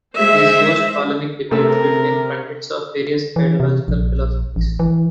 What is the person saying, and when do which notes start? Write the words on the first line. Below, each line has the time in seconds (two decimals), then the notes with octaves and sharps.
These host polemic debates between pundits of various ideological philosophies.
0.18 G#3 C5 E5
1.51 C3 A3 A#4 E6
3.36 E3
3.60 C3
3.88 A#1
4.56 A1
4.80 E3